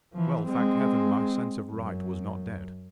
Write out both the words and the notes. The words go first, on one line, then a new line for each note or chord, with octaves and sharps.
Well, thank Heaven! my sense of right was not dead.
E3 F3
G#3 C4
F#2